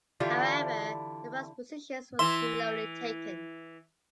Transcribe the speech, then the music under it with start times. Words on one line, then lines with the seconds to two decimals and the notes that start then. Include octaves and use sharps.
However, the various positions were slowly taken.
0.20 D3 E3 D4 E4 F4 G4
2.19 E3 E5 C6